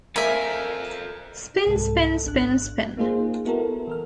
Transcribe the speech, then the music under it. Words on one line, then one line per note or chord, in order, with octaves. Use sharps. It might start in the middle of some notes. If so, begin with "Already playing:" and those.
Spin, spin, spin, spin.
A4 A#4 C5 E5 F5 G#5
C2 G#2 A4
G#1 D4 F#6
A#3 D#4 F4 G#4 C5
B3 E4 F#4 A4 A#4
E3 A#4 F6